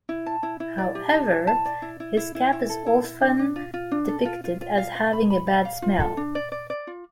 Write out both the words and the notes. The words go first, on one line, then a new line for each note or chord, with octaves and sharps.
However, his cap is often depicted as having a bad smell.
E4
A5
E4
E4
D5
G4
A5
E4
A5
D5
E4
E4
E4
E4
E4
A4
E4
E4
D4
D4
F4
F4
D4
A4
F4
F4
F4
F5
F5
B5
B5
F5
F5
F4
A4
D4
D5
D5
D5
F4